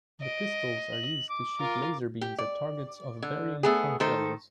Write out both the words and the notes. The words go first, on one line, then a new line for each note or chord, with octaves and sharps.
The pistols are used to shoot laser beams at targets of varying point values.
D#5 D7
F#7
D6
F4 A#4
G4
D5
D3
A3 B3 G#4
D#3 A3 A4 C5